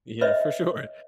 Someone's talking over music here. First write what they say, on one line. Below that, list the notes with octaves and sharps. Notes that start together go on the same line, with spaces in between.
Yeah, for sure.
B4 C#5 D#5 E5